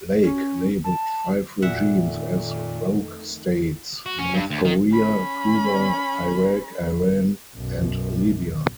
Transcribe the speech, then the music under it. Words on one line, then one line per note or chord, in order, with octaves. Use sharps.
Lake labeled five regimes as "rogue states": North Korea, Cuba, Iraq, Iran and Libya.
C#4
A5
F2 A#2 D#3 A3 E5 F#5
F#4
C#4
G2
D2
D#3
C#4 B5
B1 F#2